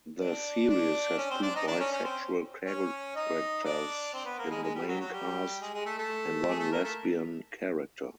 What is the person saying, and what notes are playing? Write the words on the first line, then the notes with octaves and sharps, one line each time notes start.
The series has two bisexual characters in the main cast and one lesbian character.
D4 D5
D4 D5
C#4 C#5
C4 C5
D4 D5
D#4 D#5
D4 D5
C#4 C#5
C#4 C#5
C4 C5
C#4 C#5
D#4 D#5
D4 D5
C4 C5
B3 B4
A#3 A#4
A4
G#3 G#4
G#3 G#4
G3 G4
F#3 F#4
G4
F#3 F#4
G3 G4
G#3 G#4
G#3 G#4
A3 A4
A3 A4
G#4
A3 A4
A#3 A#4
A3 A4